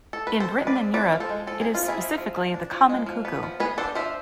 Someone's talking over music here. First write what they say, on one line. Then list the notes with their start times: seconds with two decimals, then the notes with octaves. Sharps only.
In Britain and Europe, it is specifically the common cuckoo.
0.13 A4
0.27 B4
0.40 C4 A4 C5
0.58 G#3
0.67 B4 D5
0.76 C4
0.94 C4 B4 D5
1.12 F3
1.20 A4 C5
1.29 G#3
1.47 F3 A4
1.61 C4 G#4
1.75 F4
1.83 F3
1.88 E4 G#4
2.01 F3
2.18 F3
2.36 F3
2.54 D4
2.71 F3
2.89 G#3
3.06 F3
3.25 B3
3.43 F3
3.60 B3 G#4 B4
3.78 D4 A4 C5
3.95 F3 C5 E5